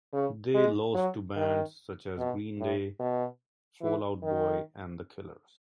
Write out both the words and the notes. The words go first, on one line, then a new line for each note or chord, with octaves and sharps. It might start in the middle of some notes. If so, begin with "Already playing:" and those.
They lost to bands such as Green Day, Fall Out Boy, and The Killers.
C#3
G#3
F#3
D#3
B2
A2
B2
E3
D#3